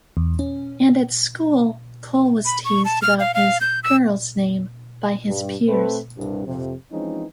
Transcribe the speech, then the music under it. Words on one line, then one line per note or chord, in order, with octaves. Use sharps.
And at school, Cole was teased about his "girl's name" by his peers.
E2
C#4
B5
C#6
A5
F6
F5
F5
G6
E6
G2 G3
A3 C4 A4 B4
C2 G2
F2 C3
E3 F3 G#3 C4 C#4 D#4